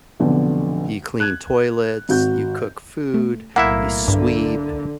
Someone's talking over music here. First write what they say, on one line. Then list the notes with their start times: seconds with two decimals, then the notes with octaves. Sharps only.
You clean toilets, you cook food, you sweep.
0.20 F1 B1 D3
1.20 F#6 G#6
2.09 G#1 F#4 G6
3.14 A3
3.56 B1 A2 A#3 E4 E5 F#5
4.08 G2 D3